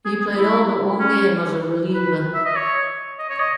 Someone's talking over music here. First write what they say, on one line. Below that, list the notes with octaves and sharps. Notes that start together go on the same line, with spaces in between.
He played all but one game as a reliever.
G#4
G#4
E4
C#4
B4
E5
D#5
C#5
D#5
C#5
D#5